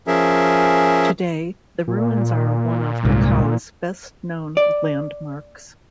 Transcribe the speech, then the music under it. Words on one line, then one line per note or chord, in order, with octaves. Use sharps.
Today, the ruins are one of Macau's best known landmarks.
F3 C#4 G#4 A#4 E5
A#2
C2 G#2
D5